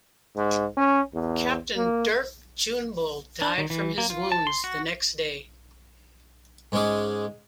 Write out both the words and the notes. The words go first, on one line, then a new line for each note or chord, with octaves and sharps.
Captain Dirk Juinbol died from his wounds the next day.
G#2
C#4
E2
A#3
D4
D#3
E3
A#3
F4
A5
C6
F#4
G#2 G#3 C#4 G#4 D6